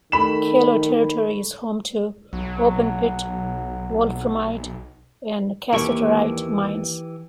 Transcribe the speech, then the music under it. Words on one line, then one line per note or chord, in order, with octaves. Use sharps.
Kailo Territory is home to open pit wolframite and Cassiterite mines.
D#3 A3 B5 E7
B1 F#3
D#2 E3 A#3 G4 C#6